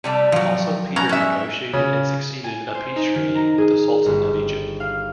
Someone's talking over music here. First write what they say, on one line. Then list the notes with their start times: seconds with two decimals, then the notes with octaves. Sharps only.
Also Peter negotiated and succeeded a peace treaty with the Sultan of Egypt.
0.04 C3 G3 A3
0.32 F3 F#3
0.96 B3 C#4 A#5
1.09 G#3 C#4 E5
1.73 C#3
2.44 G#5
2.75 C5
2.96 D#4
3.15 D#3
3.35 A#5
3.58 G#4
4.06 G1
4.80 F5